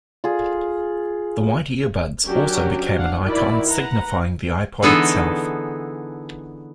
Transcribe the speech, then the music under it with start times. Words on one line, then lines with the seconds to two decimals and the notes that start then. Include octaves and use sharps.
The white earbuds also became an icon signifying the iPod itself.
0.24 F4 G#4
2.26 F#3 C#4 D4 F#4 G4 A#4
2.95 D4 F5 F#5
3.25 D#3 E4 F#4 D5 B5
3.67 B4 F#5 A#5
4.83 D3 E3 B3 D#4 G#4 A4